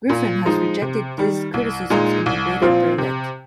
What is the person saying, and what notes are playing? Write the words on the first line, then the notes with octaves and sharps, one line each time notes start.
Griffin has rejected these criticisms and debated Berlet.
A#2
F3 G#3 D#4
C3
D#3 G3
C2
A#2 G#3 D#4
C2
A#2 F3 C4 F4
C3